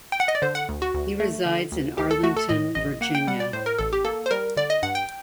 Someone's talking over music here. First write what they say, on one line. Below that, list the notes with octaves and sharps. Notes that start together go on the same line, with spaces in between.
He resides in Arlington, Virginia.
G5
F#5
D#5
D5
D3 C5
F#5
D2
F#4
D2
A3
D3
D2
D2 G4
A4
A3 F#4
A4
A2 D#5
A1 D#5
A#3 F#5
G5
G3 F#5
D5
A2 C5
A#4
A1 A4
G4
A#3 A4
C5
G3 A#4
D3 D5
D#5
G2 F#5
G5